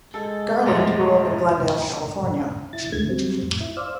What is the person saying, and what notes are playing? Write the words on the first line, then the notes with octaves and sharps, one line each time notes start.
Garland grew up in Glendale, California.
G#3 A4
B1 F2 A2
E4 A6
D#2 D3 G#3 A3 G#6
F#3 G3 C4
F2 A2
E4
C5 D5 F5 E6